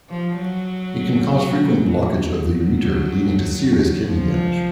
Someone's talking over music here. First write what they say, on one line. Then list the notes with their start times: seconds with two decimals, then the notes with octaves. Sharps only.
It can cause frequent blockage of the ureter leading to serious kidney damage.
0.10 F3
0.37 F#3
2.37 F#3
4.08 F3